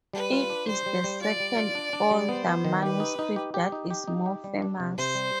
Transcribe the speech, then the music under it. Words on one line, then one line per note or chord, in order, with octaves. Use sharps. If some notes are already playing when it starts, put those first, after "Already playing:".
It is the second, older manuscript that is more famous.
G3 B4
F4
D4
G3 C5
G3
G3
F4 D5
G3
F4
D4
D4
G3
B3 C5
B3
D#3
G4 B4
D#4
D#4
G4
G4
D#4
G4
D#4
G4
G3
D4
C3
C3 C5
G3